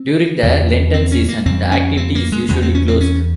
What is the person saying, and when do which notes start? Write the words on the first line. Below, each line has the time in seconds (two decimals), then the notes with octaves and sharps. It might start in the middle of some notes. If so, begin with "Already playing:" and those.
During the Lenten season the activity is usually closed.
Already playing: C4
0.43 E2 C#3
0.94 C4
1.12 C#4
1.28 A#3
1.46 F2 C#3 C4
1.72 C#4
1.97 C4
2.15 A#3
2.32 G#3
2.48 E2 C#3 G#3
2.62 C4
2.75 C#4
2.88 C4
3.01 C#4